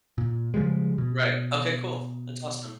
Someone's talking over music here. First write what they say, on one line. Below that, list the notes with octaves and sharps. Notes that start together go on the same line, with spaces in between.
Right. Okay. Cool. That's awesome.
A#2
C#3 F3 G3 G#3
B2